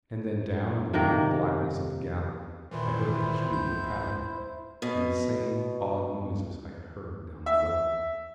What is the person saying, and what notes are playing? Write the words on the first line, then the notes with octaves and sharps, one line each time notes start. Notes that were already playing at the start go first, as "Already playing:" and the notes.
And then down in the remote blackness of the gallery I heard a peculiar pattering, and the same odd noises I had heard down the well.
C3 D#3 A#3 A#4
A#2 D#3 E3 E4 C5
C#2 G6
B2
E5